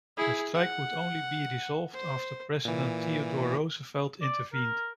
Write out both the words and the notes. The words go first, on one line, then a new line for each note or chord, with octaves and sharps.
The strike would only be resolved after President Theodore Roosevelt intervened.
E4 G#4
F#5
C5
A#2 E3
D5
A#4